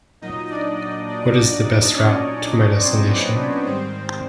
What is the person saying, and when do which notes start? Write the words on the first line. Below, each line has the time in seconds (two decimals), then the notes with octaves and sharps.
What is the best route to my destination?
0.21 A#2 F#3 D#4 D#5
0.50 D4 D5
0.78 D#4 D#5
1.07 D4 D5
1.50 D4 D5
1.94 C#4 C#5
2.79 C4 C5
3.08 B3 B4
3.36 B3 B4
3.65 G#2 D#3 G3 C4 C5